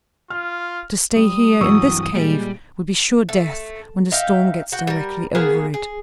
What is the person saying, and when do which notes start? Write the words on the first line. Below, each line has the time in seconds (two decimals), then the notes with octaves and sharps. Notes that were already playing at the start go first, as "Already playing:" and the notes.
To stay here in this cave will be sure death when the storm gets directly over it.
0.30 F4 F6
1.16 G3 D#6
1.61 G2 E3 F#3 C#6 E6
2.14 A#2 G3 G#3 D7
3.29 A3
4.12 D#4 E5 F5 G5
4.72 F#4 G5
4.87 G3 A#4
5.35 G#3 A#3 B3 G#4
5.74 G#4